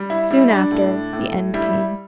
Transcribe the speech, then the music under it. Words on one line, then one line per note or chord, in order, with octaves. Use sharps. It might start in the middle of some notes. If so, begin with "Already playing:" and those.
Soon after, the end came.
Already playing: G3
E4
G3 E4
D4
A2
A2
G3 E4